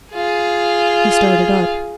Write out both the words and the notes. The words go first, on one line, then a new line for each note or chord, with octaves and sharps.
He started up.
F4 G#4